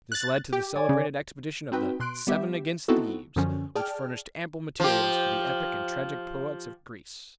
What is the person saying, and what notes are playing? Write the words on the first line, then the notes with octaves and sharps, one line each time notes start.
This led to the celebrated expedition of the "Seven against Thebes," which furnished ample materials for the epic and tragic poets of Greece.
F#6 A6
G4
C#5 D5 G#5
C#3
C4 D#4 F#4 B4 G5
B2 C6 F#6 D7
G3 B3 G4 E5
B3 C4 D#4 E4 F#4 A4
F#2 D3 F3 C#4
G#4 D5 G5 A5 F6
F3 G4